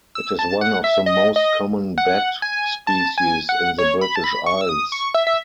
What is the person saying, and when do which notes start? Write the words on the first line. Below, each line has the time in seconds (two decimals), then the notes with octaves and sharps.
It is one of the most common bat species in the British Isles.
0.15 E6
0.39 A5
0.61 F#5
0.84 E5
1.06 D#5
1.36 D#5
1.98 F#5
2.42 G#5
2.87 A5
3.18 G#5
3.49 F#5
3.78 C#5
4.01 B5
4.16 A5
4.24 B5
4.46 C#6
4.61 E6
4.69 D#6
4.92 C#6
5.14 E5
5.27 E5